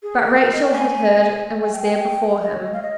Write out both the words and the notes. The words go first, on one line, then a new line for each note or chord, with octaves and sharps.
But Rachel had heard and was there before him.
G#4
A#4
A#4
D#5
G5
G#5
G#5
G5
G#5
G5
D#5
C#5
D#5
F5
D#5